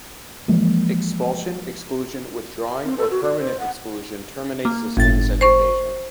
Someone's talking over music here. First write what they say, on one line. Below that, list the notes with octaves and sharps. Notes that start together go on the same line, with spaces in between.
Expulsion, exclusion, withdrawing, or permanent exclusion terminates the student's education.
E3 F3 G#3 A#3
C4
A4
F#4
D5
C5
F#5
A#3
G1 A2 A6
C5 C#6